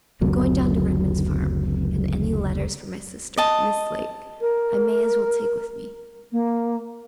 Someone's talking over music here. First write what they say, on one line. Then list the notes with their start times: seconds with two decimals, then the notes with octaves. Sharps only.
'I'm going down to Redman's Farm, and any letters for my sister, Miss Lake, I may as well take with me.'
0.21 F#1 D2 C3 F#3
3.37 D#5 A5
4.41 A#4
6.32 A#3